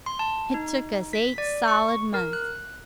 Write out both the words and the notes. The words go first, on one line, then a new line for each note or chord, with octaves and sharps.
It took us eight solid months.
C6
A5
D#4
B6
D5
C#6
A#4
F#6